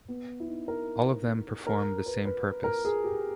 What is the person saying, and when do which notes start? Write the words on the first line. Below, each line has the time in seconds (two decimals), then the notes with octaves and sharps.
All of them perform the same purpose.
0.08 B3
0.40 E4
0.48 D#4
0.68 A#4
1.67 A#4
2.06 B4
2.25 B4
2.64 A#4
2.85 G#4
3.04 G4